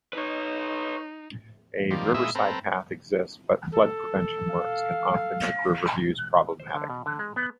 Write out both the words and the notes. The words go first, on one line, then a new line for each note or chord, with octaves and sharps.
A riverside path exists, but flood prevention works can often make river views problematic.
D#4 B4 C#5
D#3 F3 G3 A#3
A#2 G#3 E4 D#5 E5 E6
C4 A4 B4 A#5
A4
F5
C5
D3
B2
D3
G#3
B3